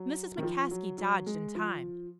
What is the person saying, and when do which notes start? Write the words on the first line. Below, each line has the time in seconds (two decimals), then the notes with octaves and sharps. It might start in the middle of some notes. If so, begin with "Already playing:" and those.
Mrs. McCaskey dodged in time.
Already playing: F#3
0.38 D#3
0.43 F3
0.71 F#3
0.98 F#3
1.26 G#3
1.55 F3